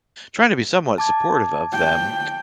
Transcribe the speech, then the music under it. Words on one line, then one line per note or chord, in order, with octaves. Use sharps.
trying to be somewhat supportive of them.
A5 D6 G#6
G5